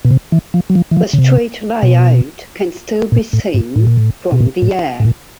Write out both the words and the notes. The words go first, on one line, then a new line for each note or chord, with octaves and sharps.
The street layout can still be seen from the air.
B2
C3
E3
F3
F#3
F3
E3
F3
C#3
C3
B2
A#2
A2
G#2
A2
A#2
A2
B2
A#2
A2
A2
A#2